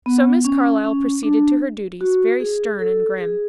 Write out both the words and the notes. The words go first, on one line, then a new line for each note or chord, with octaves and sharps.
So Miss Carlyle proceeded to her duties, very stern and grim.
B3
C#4
C#4
D4
F#4
G#4
A4
G#4